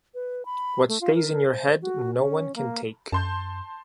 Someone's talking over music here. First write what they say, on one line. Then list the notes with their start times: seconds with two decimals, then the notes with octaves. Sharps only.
What stays in your head no one can take.
0.14 B4
0.45 B5
0.88 A3
1.01 F4
1.15 A#4
1.50 C5
1.82 F#4
2.19 C#4
2.56 A#3
3.12 F#2 A5 C6 G6